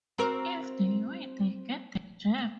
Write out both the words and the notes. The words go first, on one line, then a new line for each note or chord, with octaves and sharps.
If they win, they get the gem.
C4 F#4 A#4